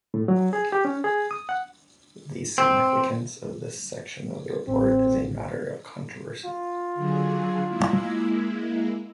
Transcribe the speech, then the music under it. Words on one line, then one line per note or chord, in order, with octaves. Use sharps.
The significance of this section of the report is a matter of controversy.
A2
F#3
G#4
G4
C#4
G#4
D#6
F#5
C4
A1 C4
F4
D3 F#3 G#4
G#3 A#3 E4